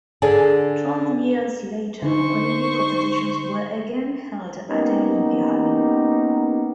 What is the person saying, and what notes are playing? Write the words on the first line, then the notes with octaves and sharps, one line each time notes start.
Twelve years later, Olympic competitions were again held at the Olympiahalle.
D3 G#4 A4 D5
D3 D#4 C5 C#6
A#3 B3 C#4 D#4 G4 A#4